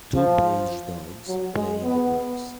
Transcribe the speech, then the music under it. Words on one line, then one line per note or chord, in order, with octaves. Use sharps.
Two beige dogs play in the grass.
F3
F#3
G#3
B3